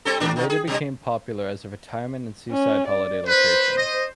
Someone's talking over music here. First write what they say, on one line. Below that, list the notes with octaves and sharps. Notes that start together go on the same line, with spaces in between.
It later became popular as a retirement and seaside holiday location.
G3 C4 A4
D#2 D4
A#2 D#3
G#4
B2 G3
C#4
D5
B4 C5
D#5